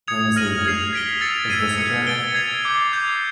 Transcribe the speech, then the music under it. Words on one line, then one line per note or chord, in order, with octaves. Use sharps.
Let me see, is this a chair?
D#6 G#6 C#7 F7
F6 A#6 D#7 F#7
F6 G#6 C7 F7
G#6 B6 D7 G7
E6 A6 C#7 F7
E6 G#6 C7 D#7
E6 G#6 C#7
A6 D7 G7
G#6 C7 F7
D6 G6 C7
D6 G6 C7 F7